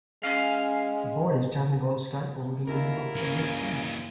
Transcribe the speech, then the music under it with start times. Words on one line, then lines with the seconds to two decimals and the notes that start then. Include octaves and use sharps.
A boy is jumping on skateboard in the middle of a red bridge.
0.23 G#3 C#4 F5
2.68 D#2 E4 F4 A#4
3.16 C#3 E3 A#3